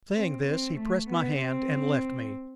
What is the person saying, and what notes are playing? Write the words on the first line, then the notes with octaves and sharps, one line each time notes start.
Saying this, he pressed my hand and left me.
C4
C4
A3
B3
C4